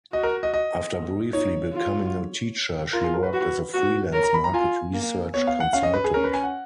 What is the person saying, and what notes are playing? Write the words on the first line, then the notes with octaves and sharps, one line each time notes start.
After briefly becoming a teacher, she worked as a freelance market research consultant.
F#4 D#5
A#4
D#5
D#5
D#4 C#5
F4
F4 A#4
G#4
A#4
B4
F#4
F#4
A#4 C#5
A#5
B5
A#5
F4 G#5
A#3
B3 C#5
F5
F#5
C#4 F5
D#5
B4
G#4
C#4 A#4
B4
G#5
F#5